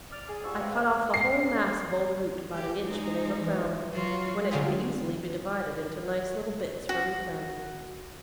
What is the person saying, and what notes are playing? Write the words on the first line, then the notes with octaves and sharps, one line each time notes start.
I cut off the whole mass of old root about an inch below the crown, when it can easily be divided into nice little bits for replanting.
D5 F6
G#4
G#2 D3 F3 G3 C#6 E6
F#3 B3 C4 D4 E5 F5
G#2
C7
G4
G#3 D#4
E3
F#3 F4 F#4
D3 F#3 G#3 F4 G4 G#4
F#4